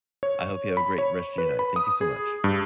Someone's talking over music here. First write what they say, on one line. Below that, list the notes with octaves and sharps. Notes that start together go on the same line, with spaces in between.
I hope you have a great rest of your night, thank you so much.
C#5
B5
C#5
B4
B5
D#6
G#4
G2